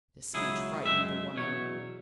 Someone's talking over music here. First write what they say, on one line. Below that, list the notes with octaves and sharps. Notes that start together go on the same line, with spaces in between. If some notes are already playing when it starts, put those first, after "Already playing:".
This speech frightened the woman.
C#2 C#3 F#3 E4 G#4
F#2 C#3 G#3 E5
E2 B2 F#3 C#5